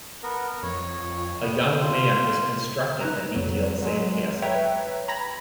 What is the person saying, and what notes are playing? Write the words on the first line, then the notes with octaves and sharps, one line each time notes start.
A young man is constructing a detailed sand castle.
B3 A#4
F2 C#5
C3 B3
F4
D#4 B4 A#5
F2 F#3
F#3 G#3
B4 C#5 E5 G5 A#5
A#5 B5 G#6 A#6